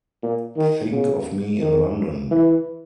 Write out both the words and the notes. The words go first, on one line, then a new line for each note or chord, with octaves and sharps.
Think of me in London!
A#2
D#3
C#3
D#3
E3